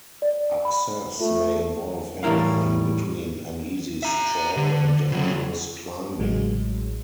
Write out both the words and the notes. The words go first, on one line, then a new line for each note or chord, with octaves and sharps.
Access may involve anything between an easy stroll and dangerous climbing.
D5
B5
A3 F4
A2 E3 G3 E4 A#4 F5
E5 A#5
D3
C#3 F#3
A1 A2 F#3 G#3